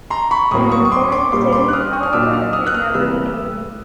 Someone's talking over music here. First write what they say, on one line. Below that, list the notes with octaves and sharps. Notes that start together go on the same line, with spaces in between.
An important city, however, it never became.
A#5 C6
B5 C#6
A2 F#3 A#3 C#6 D#6
C#6 D#6
C#6
C6 D6
C6 D6
A#2 G3 A#3 C6 D6
C6 D6
F#6
D#6 F6
C#6 D#6
F6
A#2 F#3 A#3 D6 E6
D#6 F6
D#6 F6
F#6
D#6 F6
C3 E3 G3 A#3 E6 F#6